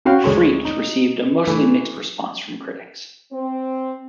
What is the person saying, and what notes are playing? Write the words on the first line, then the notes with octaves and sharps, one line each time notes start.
"Freaked" received a mostly mixed response from critics.
C#4 F#4 F5 G5
D2 G#3 A4 C#5
D#4
E3 A3
C4